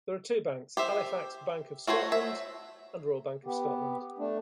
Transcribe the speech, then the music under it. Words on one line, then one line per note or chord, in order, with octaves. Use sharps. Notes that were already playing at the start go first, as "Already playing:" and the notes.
There are two banks, Halifax Bank of Scotland and Royal Bank of Scotland.
G4 C5 E5
A3 F#4 C5 C#5
E5
B3 G4
A3 D4